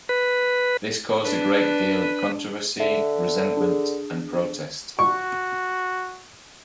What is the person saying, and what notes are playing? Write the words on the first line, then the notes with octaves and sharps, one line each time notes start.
This caused a great deal of controversy, resentment and protest.
B4
D4 B4
D3 E5
D4 G#4
F#4 C#6